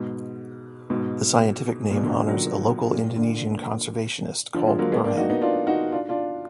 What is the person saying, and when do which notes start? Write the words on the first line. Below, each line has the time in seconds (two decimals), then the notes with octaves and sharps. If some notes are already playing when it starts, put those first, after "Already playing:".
The scientific name honours a local Indonesian conservationist called Burhan.
Already playing: G#2 B2
0.90 G#2 B2
1.91 A#2
1.97 B2
2.03 A#2 D3
2.28 D#3 F#3
2.91 A#2
3.16 A#2 D3
4.54 D3 F3
4.67 F3 G#3
4.79 F#3 A#3
4.92 G#3 B3
5.04 A#3 D4
5.17 D#4 F#4
5.30 B3 D#4
5.42 D4 F4
5.67 D#4 F#4
5.92 D4 F4
6.09 D4 F4